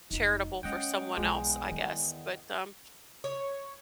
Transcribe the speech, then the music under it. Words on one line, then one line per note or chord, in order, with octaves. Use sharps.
charitable for someone else, I guess, but, um
F1 D#4 F4
G#3 C#4 E4 D#5 F#5 G5
B1 E2 G#3
D#3 G3
C#5